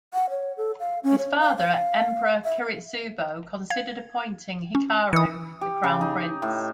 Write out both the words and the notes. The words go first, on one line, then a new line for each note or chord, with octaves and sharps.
His father Emperor Kiritsubo considered appointing Hikaru the crown prince.
F#5
C#5
A4
F5
C#4
C#5
F5
F5
E5
F5 G#6
C#4
E3 D#6 C#7
G4
C#3
D#4
A2